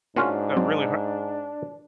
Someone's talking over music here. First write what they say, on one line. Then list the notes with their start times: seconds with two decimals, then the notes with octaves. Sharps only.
that really h
0.16 G#2 A#3 C#4 D4 F4 F#4
0.57 F#3 C4